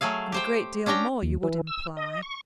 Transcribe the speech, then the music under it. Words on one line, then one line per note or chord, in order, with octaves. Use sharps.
'And a great deal more, you would imply.
F#3 A3 G#4 F5
G4 C5 G5
C#4 D4 G4 G5 A#5
D#2
E3
E6
D#5
C#6